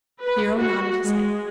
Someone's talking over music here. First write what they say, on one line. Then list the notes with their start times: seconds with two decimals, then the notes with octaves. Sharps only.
The Earl nodded his head.
0.22 B4
0.58 F#4
1.04 G#3